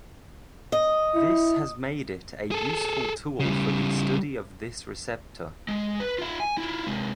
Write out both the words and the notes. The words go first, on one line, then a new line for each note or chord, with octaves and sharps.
This has made it a useful tool for the study of this receptor.
D#5
E4
G#4 A4
C#3 G3
G#3
B4
F4 E5
G#5
E4 F4
C3 G#3